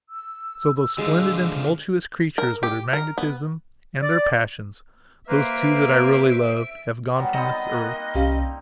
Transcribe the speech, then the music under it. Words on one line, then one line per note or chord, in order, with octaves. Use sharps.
So those splendid and tumultuous creatures with their magnetism and their passions--those two that I really loved--have gone from this earth.
E6
D3 F3 G#3
A#4
G4
A#4
B3
D5
A#3 B4 C5 E5 D7
F#3 G3 B3
B3 C4 D#4 D#5
A#3 F#6
C2 C#4 G4 F5